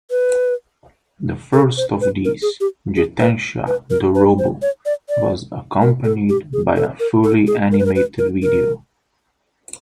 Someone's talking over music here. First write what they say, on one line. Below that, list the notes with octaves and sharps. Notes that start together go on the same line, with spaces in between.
The first of these, "Jitensha Dorobou", was accompanied by a fully animated video.
B4
A4
C5
B4
A#4
G#4
G4
G#4
B4
B4
A#4
B4
C5
C#5
D5
D5
A#4
A4
G4
G#4
A4
A#4
A4
G#4
A#4
B4
A#4
B4
A#4
A#4